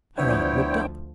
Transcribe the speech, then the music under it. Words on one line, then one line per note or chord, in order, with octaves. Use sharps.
Her aunt looked up.
D2 F3 B3 D4 E4 C5 C#5 G5